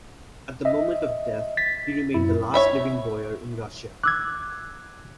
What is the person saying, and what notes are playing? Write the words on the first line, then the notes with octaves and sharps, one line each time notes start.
At the moment of death he remain the last living boyar in Russia.
D#5 E5
A6 B6
F#2 E4
C#5 E5 B5
D6 E6 F#6 G#6